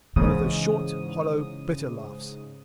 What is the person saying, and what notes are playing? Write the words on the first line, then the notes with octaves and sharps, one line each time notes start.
One of those short, hollow, bitter laughs.
G#2 C#3 E3 D#6